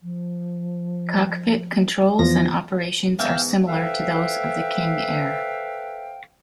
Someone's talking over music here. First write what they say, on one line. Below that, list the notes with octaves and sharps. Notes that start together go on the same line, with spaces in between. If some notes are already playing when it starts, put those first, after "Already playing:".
Cockpit controls and operations are similar to those of the King Air.
F3
E2 F3 A#6
E2 G#2 E5 F5 G5
A4 B4 C5 E5 F5 G5